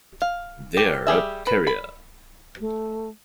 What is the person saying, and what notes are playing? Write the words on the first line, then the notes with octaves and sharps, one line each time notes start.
They're a Terrier.
F5
G4
G3 G4 G#4 E5
B4
B5
A3